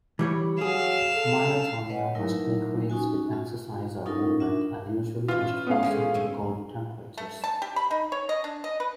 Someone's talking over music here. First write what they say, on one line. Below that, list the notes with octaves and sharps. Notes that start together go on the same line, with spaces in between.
Myotonia must increase with exercise or movement and usually must worsen in cold temperatures.
E3 G3 C#5
F#3 G#4 F5 E7
A4
B4 C#5 D#5 F#5 G#5
F#3 A3 D#4 E4 A#4 E5
C#4 D#4 F#4 G#5
F4
C#4 D#4 F4 A4 A#4
D4 F4 A#4 E5
E3 C#4 F4 B4
B3 C#4 F5
D3 G#3 C#5
G#3 A3 C#4
A3
A5
G4
B5
D#4
C#5
D#5
D4
D#5
B4